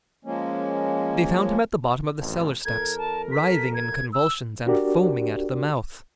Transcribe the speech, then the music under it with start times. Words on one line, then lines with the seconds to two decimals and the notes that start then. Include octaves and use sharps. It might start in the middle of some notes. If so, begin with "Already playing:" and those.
They found him at the bottom of the cellar steps, writhing in convulsions and foaming at the mouth.
0.25 F3 G#3 A#3 C#4
2.20 A1 F2
2.65 F2 A4 A#4 G#6
2.98 A5
3.31 B6
3.74 G#6
4.12 E6
4.67 D4 F#4 G4 A#4 D5